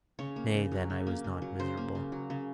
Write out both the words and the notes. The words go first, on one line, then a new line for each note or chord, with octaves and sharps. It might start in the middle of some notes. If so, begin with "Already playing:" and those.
Nay, then I was not miserable.
C#3 C#5
A#3
C#3
F#3
C#3
A#3
C#3
F#3
C#3 C5
A#3
C#3
F#3
C#3